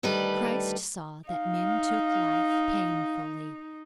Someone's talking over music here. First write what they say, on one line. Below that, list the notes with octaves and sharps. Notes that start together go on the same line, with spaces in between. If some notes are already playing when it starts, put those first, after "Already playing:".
Christ saw that men took life painfully.
D2 D#3 G3 A4 B4
D#4 F5